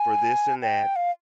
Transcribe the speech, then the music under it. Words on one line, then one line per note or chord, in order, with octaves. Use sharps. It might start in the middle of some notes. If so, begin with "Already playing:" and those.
for this and that,
Already playing: G#5
G5
F5